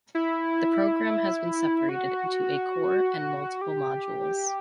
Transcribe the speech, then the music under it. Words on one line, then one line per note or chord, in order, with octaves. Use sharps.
The program has been separated into a core and multiple modules.
E4
F#4
G4